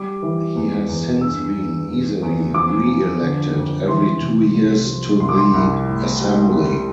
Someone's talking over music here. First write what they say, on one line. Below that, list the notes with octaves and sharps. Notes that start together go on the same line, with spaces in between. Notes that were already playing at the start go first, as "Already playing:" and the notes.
He has since been easily re-elected every two years to the Assembly.
Already playing: G3 D6
E3
E2
E2
G2 E6
G2
E2
E2
F3 D6
F3
D3
F2
E3 C6
C3
C2
F3
C2 C6
D6
C6
C2
A2
G3